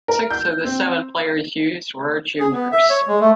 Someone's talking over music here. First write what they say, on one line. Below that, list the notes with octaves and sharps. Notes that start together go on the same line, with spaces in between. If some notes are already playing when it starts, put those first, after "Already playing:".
Six of the seven players used were juniors.
A#4
G6
C4
G#4
B3
E5
C#5
G#3
A3